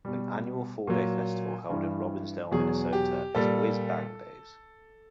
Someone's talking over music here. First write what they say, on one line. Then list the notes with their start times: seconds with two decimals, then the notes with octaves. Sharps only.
An annual four-day festival held in Robbinsdale, Minnesota is Whiz Bang Days.
0.05 B2 G3
0.87 A#2 F#3
1.70 G2 E3 G3
2.51 E2 B2 F#3 G#4
2.93 G4
3.35 A#2 G3 A4